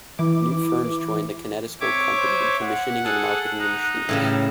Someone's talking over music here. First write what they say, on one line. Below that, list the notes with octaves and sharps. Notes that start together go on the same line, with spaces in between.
New firms joined the Kinetoscope Company in commissioning and marketing the machines.
E3 E4 D6
C4 C#5 E5 D6 G#6
C5
F#5
G#4 A4 F#6
D#4 F#6
A2 C#3 G3 E5